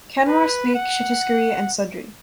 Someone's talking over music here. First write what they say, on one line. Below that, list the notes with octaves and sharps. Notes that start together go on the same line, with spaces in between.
Kanwar speak Chhattisgarhi and Sadri.
B4
F#5